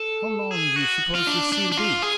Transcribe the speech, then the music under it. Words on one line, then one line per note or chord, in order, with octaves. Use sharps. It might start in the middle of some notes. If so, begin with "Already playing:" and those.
"How long do you suppose this sea to be?"
Already playing: A4
G#4
F#4
F4
D4
D4
D4
F4
G#4